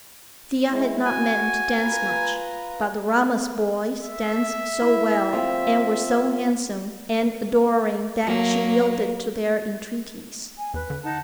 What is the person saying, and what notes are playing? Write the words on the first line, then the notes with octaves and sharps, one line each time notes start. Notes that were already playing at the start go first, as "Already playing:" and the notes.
Thea had not meant to dance much, but the Ramas boys danced so well and were so handsome and adoring that she yielded to their entreaties.
G#3 E4
F#4 G#5
F4 B4 A#5
E5
E4
C4 F4
F#3 A#3
G#5
E2 B4
D3
D#4 F#5 A5